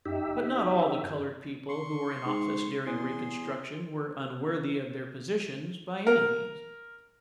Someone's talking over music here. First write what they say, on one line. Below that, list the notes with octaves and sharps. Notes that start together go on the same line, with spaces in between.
But not all the coloured people who were in office during Reconstruction were unworthy of their positions, by any means.
F#2 D#4 G4 E5
F#1
G2
C6 C#6
G#2
E2 G#4 C6
A#4